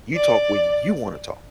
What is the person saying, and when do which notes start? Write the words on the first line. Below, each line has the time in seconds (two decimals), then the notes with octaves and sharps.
you talk when you wanna talk.
0.15 D5